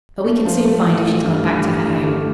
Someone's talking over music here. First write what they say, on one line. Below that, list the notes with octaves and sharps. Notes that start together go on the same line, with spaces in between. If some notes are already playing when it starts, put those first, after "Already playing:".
But we can soon find if she's gone back to her home.
A3
F3
A3
A1
A1
G2
G2
A1
G2
A3